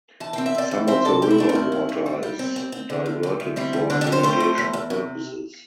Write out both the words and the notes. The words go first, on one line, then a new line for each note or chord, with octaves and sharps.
Some of the river water is diverted for irrigation purposes.
E3 A5
C4 G5
E5
C4 D5 G5
E3
C4 C5 E5
C3 A4 D5
C4 G4
E4
A3 D4
C4 E4
G2
G2
G2
G3
G3
C4
C4
C4
D3
D2
D2
D2
G3 C4 E4
D2
D3 D4
D4 G4
G3
G4 C5
A3 G4 C5
A3
E2
E2
C3